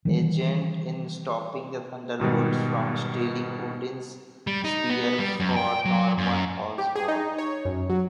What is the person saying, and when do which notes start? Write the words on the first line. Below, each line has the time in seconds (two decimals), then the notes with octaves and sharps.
Agent in stopping the Thunderbolts from stealing Odin's spear for Norman Osborn.
0.05 D#3 E3 G3
2.20 G#2 B2 D#3 G3
4.47 G3
4.64 D#4
4.90 B3
5.19 G3
5.40 F#2
5.56 G5
5.85 F#3
6.18 F#2
6.78 G4
6.96 G#4
7.08 D#4
7.38 C#5
7.65 F#2
7.90 F#3